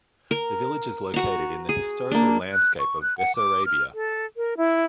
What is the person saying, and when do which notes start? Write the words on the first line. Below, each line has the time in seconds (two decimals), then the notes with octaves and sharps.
The village is located in the historical landscape of Bessarabia.
0.31 A#4
1.14 F#4 A#5
1.69 G#4
2.11 A#3 D4
2.53 F#6
2.79 C#6
3.02 F#6
3.18 F#5
3.36 D6
3.66 F6
3.94 A4
4.37 A#4
4.57 E4